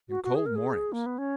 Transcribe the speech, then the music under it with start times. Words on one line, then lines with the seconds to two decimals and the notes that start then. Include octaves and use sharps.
And cold mornings.
0.09 F#4
0.24 F#4
0.35 G#4
0.46 A#4
0.56 G#4
0.93 A#3
1.06 B3
1.18 C#4